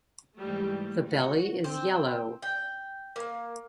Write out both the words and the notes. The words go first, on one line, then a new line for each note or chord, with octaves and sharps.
The belly is yellow.
G#2 E3 G3 A3
F#4
C4
G5
A#3